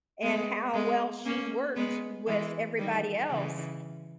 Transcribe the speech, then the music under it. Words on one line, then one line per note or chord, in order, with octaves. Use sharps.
and how well she worked with everybody else
G#3 B3
G#3 B3
A#3 C#4
G#3 B3
E3 G#3
D#3 G3
C#3 E3